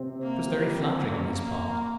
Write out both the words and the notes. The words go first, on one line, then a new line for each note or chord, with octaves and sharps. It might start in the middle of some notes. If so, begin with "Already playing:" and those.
It was very flattering on his part.
Already playing: C3 C4
A#3
G3
A#3
A#3